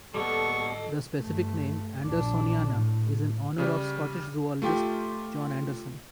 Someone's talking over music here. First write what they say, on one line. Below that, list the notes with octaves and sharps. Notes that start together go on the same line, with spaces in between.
The specific name, "andersoniana", is in honor of Scottish zoologist John Anderson.
G3 A#3 B3 A4 D#5 A5 C#6
G2 A3
A#1 D4
A2
C#3 G3
A3 F4 G4